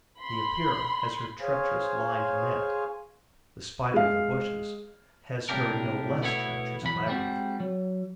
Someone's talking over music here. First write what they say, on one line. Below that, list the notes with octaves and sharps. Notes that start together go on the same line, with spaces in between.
The Epeira has her treacherous limed net; the Spider of the bushes has her no less treacherous labyrinth.
B5 C6
G#4 C5 C#5 F5 G#5
G#3 F5
C2 A2 C#3 D4 G4 A#4
B2 A3 B3 E4 C#5
B1 E2 B5
G3 G#3 C4 F#4
F#3